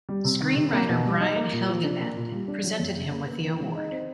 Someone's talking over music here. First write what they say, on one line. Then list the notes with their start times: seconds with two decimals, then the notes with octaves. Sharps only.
Screenwriter Brian Helgeland presented him with the Award.
0.09 G3
0.24 C3
0.40 D#3
0.56 C3
0.72 A#3
0.89 B2
1.05 G3
1.21 D#4
1.36 A#3
1.53 A#2
1.68 F3
1.84 D4
2.00 A#3
2.16 A#2
2.32 G3
2.48 D4
2.64 F#3
2.80 F#2
2.96 C#3
3.12 A#3
3.28 B3
3.44 E3
3.60 G#3
3.75 D#4
3.92 C4